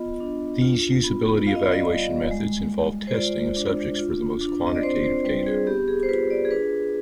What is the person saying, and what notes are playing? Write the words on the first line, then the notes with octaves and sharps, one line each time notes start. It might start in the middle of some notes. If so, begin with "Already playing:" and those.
These usability evaluation methods involve testing of subjects for the most quantitative data.
Already playing: B3 F4 D#5
D4
F4
B3
F4 F5
D#5
D5
D#5
G3
G#3
G#3
C5
F4 D5
D4
F4
D4
D#5
D5
C4 C5
C5
G3 B4
G#4
B3 G4
G#4
C5
F4 B4
D5
G#4
D4 B4